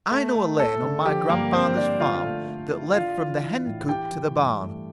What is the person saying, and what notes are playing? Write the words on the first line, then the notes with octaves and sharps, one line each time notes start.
I know a lane on my grandfather's farm that led from the hen-coop to the barn.
A3
A3
A3 A4
D3
F3 G4
G2 A#3 A#4
C4 C5
C4 D4 D5
D3 F4 F5
A3
A3
E4
D4 F4 F5
E3
E3
A2
E3 G4 G5
E3
G2
A3